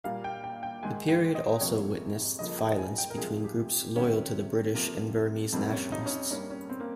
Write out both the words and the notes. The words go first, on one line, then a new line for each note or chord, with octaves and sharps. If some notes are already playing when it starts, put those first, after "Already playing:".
The period also witnessed violence between groups loyal to the British and Burmese nationalists.
A#2 G3 A#3 F5
G5
G5
G5
G#2 D#3 G#3 G#5
G5
D#5
F2 C3 F3 A#3 C#5
F2 C#3 F3 A#3 D#5
G5
G#5
G5
A#4
C3 F3 G#3 G#4
G4
C3 D#3 G#3 C#4
C3 F3 A#3
F2 C3 G3 A#3 C4
C#4
D#4
C#4
D#4
G2 G3 A#3 C#4
C#4
C4
A#3